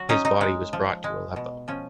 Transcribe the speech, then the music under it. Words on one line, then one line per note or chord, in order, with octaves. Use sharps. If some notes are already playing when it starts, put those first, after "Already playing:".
His body was brought to Aleppo.
Already playing: F#3 F#4
C#4 D#4
D#4
G#3
F3
G#3
B2
F3 C#4